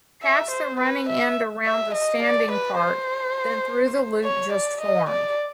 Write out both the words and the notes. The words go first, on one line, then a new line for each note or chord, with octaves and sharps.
Pass the running end around the standing part, then through the loop just formed.
E5
C5
B4
E5
E5
D#5
D5
B4
C5
C#5
D5
D#5
D5